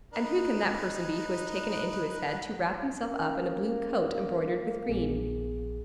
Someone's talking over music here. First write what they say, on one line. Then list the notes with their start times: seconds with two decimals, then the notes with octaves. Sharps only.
"And who can that person be who has taken it into his head to wrap himself up in a blue coat embroidered with green?"
0.13 D#4 B4
3.03 A#3 C#4
4.89 A#1 B3 G#4